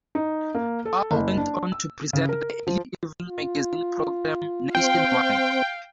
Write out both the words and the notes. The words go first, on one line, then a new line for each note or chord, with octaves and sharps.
Bough went on to present the early evening magazine programme "Nationwide".
D#4
A#3
A4
F#1
D4
E6
C#3
A#4
F3
F4
C4 F5 G5